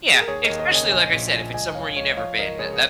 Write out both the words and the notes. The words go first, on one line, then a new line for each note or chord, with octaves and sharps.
Yeah, especially, like I said, if it's somewhere you never been, tha that
G#4
A#4
D#2 G#4 C#5
A#4 D#5
D#2
A#4 D#5
C#3 D#5 G#5
A#1 D#5 G#5
A#2
F3
C#2 D#5 G#5
G#5
C#2 C#5 F5
C#2 C#5 F5
F3 C#5 F5
C#2 A#4 D#5
C#2 G#4 C#5
G#4